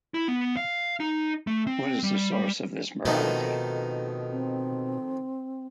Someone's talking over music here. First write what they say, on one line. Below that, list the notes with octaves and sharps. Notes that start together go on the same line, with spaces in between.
What is the source of this morality?
E4
B3
F5
D#4
A3
C4
G3
F2 B2 D#3 A3 D#4
C4